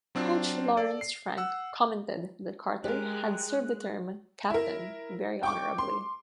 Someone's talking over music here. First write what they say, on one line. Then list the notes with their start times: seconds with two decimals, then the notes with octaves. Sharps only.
Coach Lawrence Frank commented that Carter had served the term 'captain' very honorably.
0.15 F#3 C4 D4 F4
0.77 A4 D5
1.01 C7
1.37 F#5 E6
2.84 G#3 G4 A#4 F#6
4.50 E4 A#4
5.43 G5 C#6 D6
5.78 C6